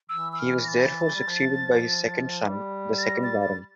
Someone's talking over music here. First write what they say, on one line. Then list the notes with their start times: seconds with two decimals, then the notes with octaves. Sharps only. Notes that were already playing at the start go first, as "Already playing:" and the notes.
He was therefore succeeded by his second son, the second Baron.
0.09 E3 E6
0.32 E6
0.39 F6
0.64 A#6
0.68 A6
1.15 G3
1.28 F3
2.44 G3
2.98 A6
3.03 A#6
3.23 A6
3.42 A6